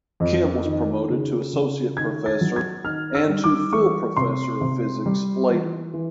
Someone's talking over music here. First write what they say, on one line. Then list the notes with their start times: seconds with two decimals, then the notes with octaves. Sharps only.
Kim was promoted to Associate Professor and to Full Professor of Physics later.
0.20 F2
0.65 D#3
1.09 C#3
1.53 C#3
1.97 D#3 G#6
2.26 A6
2.41 F#3
2.56 G#6
2.84 D#3 F6
3.15 E6
3.29 G3
3.44 D6
3.73 E3 C#6
4.17 C3 C6
4.61 C3
5.06 G3
5.50 E3
5.94 E3